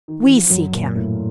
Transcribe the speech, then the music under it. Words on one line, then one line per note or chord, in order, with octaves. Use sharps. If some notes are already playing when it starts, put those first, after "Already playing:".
We seek him.
D#3
E3
F3
F#2 F#3
A#2 A#3
A2 A3